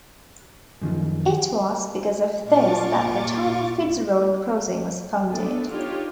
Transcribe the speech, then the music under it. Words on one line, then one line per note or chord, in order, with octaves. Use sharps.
It was because of this that the town of Fitzroy Crossing was founded.
F#2 D#3 F3
A#2 F4 C#6 D6 A6
A3 B3 D4 A4
D4 D#4 F4 G4 C#5